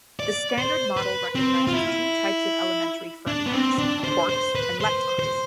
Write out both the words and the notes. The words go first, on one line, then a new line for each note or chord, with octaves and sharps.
The Standard Model recognizes two types of elementary fermions: quarks and leptons.
D5
C5
B4
C4
F4
E4
D4
B3
C4
D4
C5
C5
B4
C5
C5